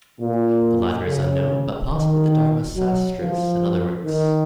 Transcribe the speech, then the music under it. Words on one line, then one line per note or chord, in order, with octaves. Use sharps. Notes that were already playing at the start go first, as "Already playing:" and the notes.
The latter is unknown but possibly the Dharmasastras and other works.
A#2
C#3
D#3
F#3
F3
D#3